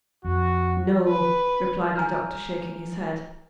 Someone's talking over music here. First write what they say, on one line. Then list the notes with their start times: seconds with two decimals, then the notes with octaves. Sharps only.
'No,' replied the Doctor, shaking his head.
0.25 F2 F#4
1.07 B4
1.96 G#5 A#5 F6 G6